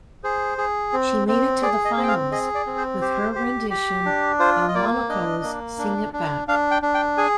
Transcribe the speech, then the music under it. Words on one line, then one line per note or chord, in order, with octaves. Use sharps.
She made it to the finals, with her rendition of Moloko's "Sing It Back".
G#4 C5
G#4
C4
C4
G#4 D5
D#5
C4
G5
F5
G#4 D#5
D5
C4
C5
G4 C5
G4
G4
D4
F4 C5
D#5
A#3 D5
D4 D#5
A#3
D4
D4
D4 F5
G5
D4
G5
G#4 G#5